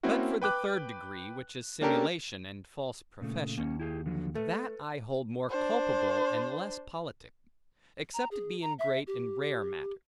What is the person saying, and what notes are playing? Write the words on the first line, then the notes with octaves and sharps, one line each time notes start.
But for the third degree, which is simulation, and false profession; that I hold more culpable, and less politic; except it be in great and rare matters.
A#3 C4 C#4 E4 F#4
B4 G5 D6 F#6
A#3 C#4 D4 G4 A4 A#4
A#2 C#3 A3
D#2 A#3 C#4
E4 G4 G#4
D3 F3 F#3
A3 A4 B4
D4 C5
A#5
G#4
A#5
E5
G4